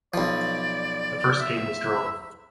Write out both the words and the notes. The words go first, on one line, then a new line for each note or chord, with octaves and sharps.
The first game was drawn.
B1 F3 D5
E5